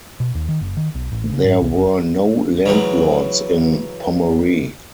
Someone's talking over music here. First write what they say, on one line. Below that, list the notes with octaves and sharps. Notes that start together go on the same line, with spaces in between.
There were no landlords in Pomor'e.
B2
D#2
D#3
F#1
D#3
B1
A1
C#3
G#2
C2
F#1
C#3 E3 F#3